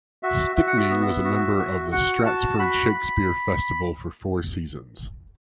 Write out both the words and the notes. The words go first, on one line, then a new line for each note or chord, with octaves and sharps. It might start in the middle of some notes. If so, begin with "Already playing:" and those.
Stickney was a member of the Stratford Shakespeare Festival for four seasons.
F#4 E5
F#4 E5
F#5
E5
B3
F#4
F#4
F#4 F#5
F#4 A5
F#4 B5